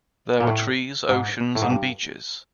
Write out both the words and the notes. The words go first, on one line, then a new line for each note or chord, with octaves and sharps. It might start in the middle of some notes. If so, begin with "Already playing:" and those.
There were trees, oceans and beaches.
A#2
A2
G#2
A2
G#2
G2